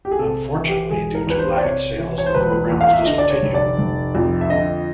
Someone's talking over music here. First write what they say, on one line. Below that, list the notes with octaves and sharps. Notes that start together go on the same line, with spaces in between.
Unfortunately, due to lack of sales, the program was discontinued.
G4
G#4
C3 A4
E3
G4
E1 G#4
A#4
E2 B4
C5
D5
C3 C#5
E3
C#5
C5
E1 B4
E2
F5
E5
D3 D#5
D5
C#5
F1
D5
F1
F2
E5
D3 D#5